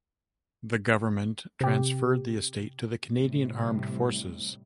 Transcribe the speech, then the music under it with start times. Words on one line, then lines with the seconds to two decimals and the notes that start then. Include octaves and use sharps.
The government transferred the estate to the Canadian Armed Forces.
1.61 C3 G4
3.19 A2 C3 G3